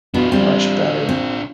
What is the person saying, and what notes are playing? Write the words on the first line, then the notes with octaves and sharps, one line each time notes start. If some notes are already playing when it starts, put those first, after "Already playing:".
much better.
B2 E3 B3 D4 F4
G3 C4
C4